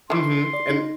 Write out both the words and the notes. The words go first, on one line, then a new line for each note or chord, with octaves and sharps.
Mhm, and
D#3 E3 C6
D5
D#4